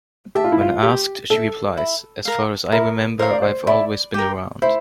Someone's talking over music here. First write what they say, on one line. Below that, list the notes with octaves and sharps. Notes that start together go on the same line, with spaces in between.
When asked, she replies, As far as I remember, I've always been around.
G4 E5 A5
F4
E4
F4
G4 C5
A4 E5 A5
E4
A#4 F5
E4 A#4
A#4 C5 F5
D5
C5
E4 D5
G4 A#4
E4 C5